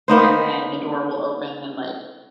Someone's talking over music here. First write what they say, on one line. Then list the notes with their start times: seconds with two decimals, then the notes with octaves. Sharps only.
And then the door will open, and, like,
0.08 A#3 B3 D#4 C5